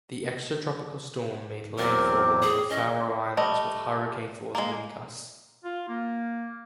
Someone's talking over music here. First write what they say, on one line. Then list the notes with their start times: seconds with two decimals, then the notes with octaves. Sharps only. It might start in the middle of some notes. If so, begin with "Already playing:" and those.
The extratropical storm made landfall on the Faroe Islands with hurricane-force wind gusts.
1.78 E2 F#3 C4 A#4 D6
2.42 G#4
2.70 E3 C#4 D#5
3.37 G3 A3 D#5
4.55 G#3 A#3
5.65 F4
5.89 A#3